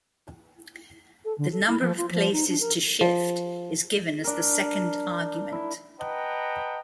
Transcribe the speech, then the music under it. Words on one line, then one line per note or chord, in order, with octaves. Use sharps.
The number of places to shift is given as the second argument.
A4
D3
A4
E4
F3
F4
F3
D#4
D4
A#4
F3
D4 A#4
E4
B4 D#5 F#5 G5 A5 A#5